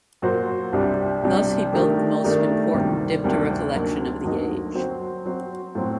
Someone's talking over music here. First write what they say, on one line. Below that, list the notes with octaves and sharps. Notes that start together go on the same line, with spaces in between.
Thus he built the most important Diptera collection of the age.
A#2 F#3 A#3 F#4 C5
C2 C3 G3 D4 G4
C2 C3 G3 D4 G4
D#3 A3 D4 G4 A#4
D#3 A3 D4 G4 A#4
D2 C3 D#3 G3 A#3
D2 C3 D#3 G3 A#3
D2 D3 F#3 A#3 D#4
D2 D3 F#3 A#3 D#4
F#3 C4 F#4 C5
F#3 C4 F#4 C5
A2 F#3 C4